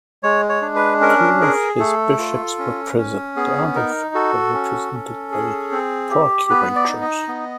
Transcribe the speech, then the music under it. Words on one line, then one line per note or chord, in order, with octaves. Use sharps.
Two of his bishops were present, the other four were represented by procurators.
G#3 C#5
C#5
D4
B4
C#4 A#4
G#4 A#4
A3 A4
F4
C#4
C#4
B3 G#4
D#4 A#4
F#4 A4
C#4
C#4
G#4
C4
G4
B3 B4
D5
D#4
D#5
B3